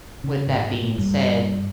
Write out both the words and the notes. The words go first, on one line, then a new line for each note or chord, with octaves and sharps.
with that being said,
C#3
G#2
G2